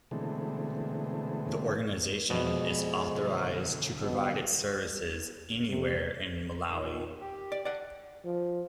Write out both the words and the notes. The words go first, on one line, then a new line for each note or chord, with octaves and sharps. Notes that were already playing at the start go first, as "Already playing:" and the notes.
The organization is authorized to provide its services anywhere in Malawi.
B2 D3 E3 G#3 A3 C4
F2 B2 G#3 C5 D5
B1 D3
B2
C3
A#2 D#3
G4
D5
D5 F#5
F3